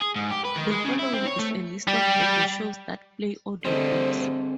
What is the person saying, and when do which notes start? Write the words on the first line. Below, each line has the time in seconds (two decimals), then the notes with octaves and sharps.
The following is a list of radio shows that play audiobooks.
0.02 G#4
0.16 G#2
0.31 G4
0.45 B4
0.56 D#3
0.71 G#3
0.84 C#3
0.99 E4
1.13 C4
1.27 C#5
1.40 A3
1.87 G3 G4
3.65 D3 G3 A3 C4 G#4 C5 D#5